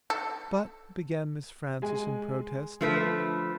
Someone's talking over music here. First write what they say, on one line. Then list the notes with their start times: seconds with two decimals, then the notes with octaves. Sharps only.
"But," began Miss Frances in protest.
0.10 A4
1.82 G#3 G#5
2.81 D3 F3 A3 B4